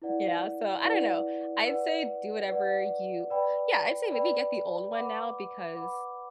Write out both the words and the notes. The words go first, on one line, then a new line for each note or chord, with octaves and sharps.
Yeah, so I don't know. I'd say do whatever you Yeah, I'd say maybe get the old one now because
E4 B4 D5 F#5
E4 B4 D5 F#5
B4 D5 F#5
B4 D5 F#5
B4 D5 G5 B5
B4 D5 G5 B5
B4 F#5 B5 D6
B4 F#5 B5 D6